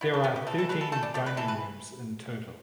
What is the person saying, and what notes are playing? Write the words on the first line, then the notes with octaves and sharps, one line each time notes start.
There are thirteen dining rooms in total.
B3 E4
A4
B3 G4
G4
E3 A4
A4
E3 B4
A4
A3 A4
D4
A3 G4
B4
E3 A4
B4